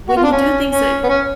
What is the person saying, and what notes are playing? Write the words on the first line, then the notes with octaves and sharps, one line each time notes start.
when you do things that
F#4
F4
D4
C#4
C#4
B3
C#4